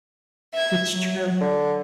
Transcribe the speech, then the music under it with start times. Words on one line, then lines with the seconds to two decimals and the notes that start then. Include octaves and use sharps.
It's true.
0.54 E5 G#6
0.89 F#3
1.41 D3